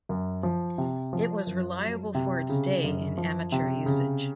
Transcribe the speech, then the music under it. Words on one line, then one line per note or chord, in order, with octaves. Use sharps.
It was reliable for its day in amateur usage.
F#2
F3
C3
F3
F#2
F#3
C3
C#3
F#2
F3
C3
C#3